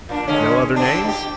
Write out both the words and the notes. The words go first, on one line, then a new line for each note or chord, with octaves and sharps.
"No other names?"
A#2 D4
D3 G#3 C#4
D3 C4 D4
D#4 G4